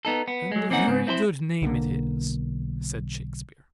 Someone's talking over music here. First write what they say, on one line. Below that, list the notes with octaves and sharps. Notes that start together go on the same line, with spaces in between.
"And a very good name it is," said Shakespeare.
B3 D#4 A4
B3
F#3 G#3
A#3 C4 C#4 D#4 F#5
G#2 C#3 C4
C4 E4 A4 C5
B1 D3 D#3 A#3